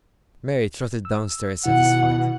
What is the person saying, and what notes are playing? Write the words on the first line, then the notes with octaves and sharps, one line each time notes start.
Mary trotted down stairs satisfied.
E6
B2 D#3 E4 F#5